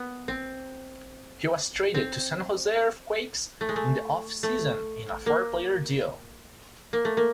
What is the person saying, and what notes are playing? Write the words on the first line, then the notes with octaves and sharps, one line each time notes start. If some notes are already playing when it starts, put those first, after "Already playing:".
He was traded to San Jose Earthquakes in the off-season in a four-player deal.
Already playing: B3
C4
C4
A3
G#3
A3
A3
A#3
A#3
A3
A#3